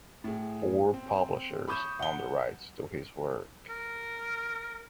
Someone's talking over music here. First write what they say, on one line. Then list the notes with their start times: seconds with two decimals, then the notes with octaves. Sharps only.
Four publishers own the rights to his work.
0.24 A2 G#4
0.94 C4
1.68 B5 C#6 D#6 G6 E7
1.99 F#5 G7
3.70 A#4